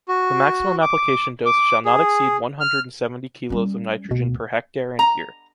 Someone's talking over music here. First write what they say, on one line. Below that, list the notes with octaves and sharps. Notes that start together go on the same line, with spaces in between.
The maximum application dose shall not exceed one hundred and seventy kilos of nitrogen per hectare and year.
F#4
D6
D6
G#4
F6
G3 C#4
D2 B2
A#5